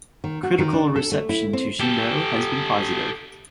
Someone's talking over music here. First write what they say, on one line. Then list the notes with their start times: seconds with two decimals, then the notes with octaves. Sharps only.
Critical reception to Shindo has been positive.
0.24 D#3
0.43 F#4
0.59 D#3
0.73 D4
0.96 A4
1.12 A3
1.29 E4
1.53 C4
1.80 G4 A4